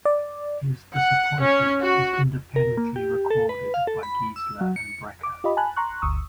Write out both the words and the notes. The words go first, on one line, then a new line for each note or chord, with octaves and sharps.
His disappointment is independently recorded by Giesler and Breker.
D5
F#5
C#4
F#4
A#4
A#3
G4
A4
B4
F5
A4
B5
E6
F#3
C#7
D6
F4 G4 D#5 B5
G#5 A5 B5 F#6
A#5 C6 C#6 F#6
G1 D2 C#6 D#6 E6